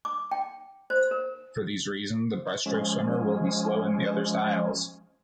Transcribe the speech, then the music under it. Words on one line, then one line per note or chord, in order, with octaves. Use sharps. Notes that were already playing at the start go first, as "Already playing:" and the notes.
For these reason the breaststroke swimmer, will be slow in the other styles.
D6
G5
C5
A#4
F3 G#3 C#4